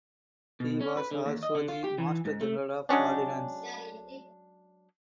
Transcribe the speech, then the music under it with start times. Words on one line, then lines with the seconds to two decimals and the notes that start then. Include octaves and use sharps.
He was also the Master general of ordinances.
0.60 B2
0.80 C#4
0.97 B4
1.11 D3
1.26 D#2
1.43 D#5
1.55 D3
1.68 F4
1.84 G4
1.98 E3
2.25 G#2
2.41 A3
2.89 F#3 G#3 C#4 D4